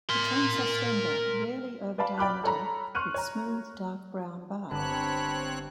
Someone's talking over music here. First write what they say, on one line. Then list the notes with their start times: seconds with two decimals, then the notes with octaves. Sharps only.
The trunks are slender, rarely over diameter, with smooth, dark brown bark.
0.09 A#4 C6
1.98 B4 D5 F5 A5 B5
2.18 D5 G5 B5 D6 F6 F#6
2.44 A4 C#5 A#5 B5
2.95 C6 C#6 F6 F#6 D#7
3.14 C#5 A#5
4.71 G1 C4 C#5 A5 B5 D6 F#6